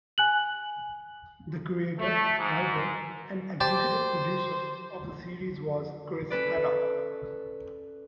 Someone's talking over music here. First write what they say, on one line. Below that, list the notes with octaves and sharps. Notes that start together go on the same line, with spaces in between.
The creator, writer and executive producer of the series was Chris Haddock.
G#5 F#6 F#7
A3
G#2
G4 C5 D5 G5 A5
C#4 A4 B4 D5